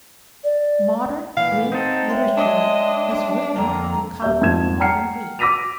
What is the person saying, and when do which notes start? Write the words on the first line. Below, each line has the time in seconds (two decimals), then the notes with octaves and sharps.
Modern Greek literature is written in common Modern Greek.
0.44 D5
1.37 A#2 E3 F5 F#5
1.72 C4 D#4 A4
2.08 G#3 C#5 E5 G5
2.37 D4 D#5
3.56 F2 D3 A#3 G5 A#5
4.22 D#1 E5 G6
4.41 F2 G#2 A#3 G#6 E7
4.80 F#5 G5 A#5 F6 C7 C#7
5.39 D6 E6 A#6 B6 D#7 F7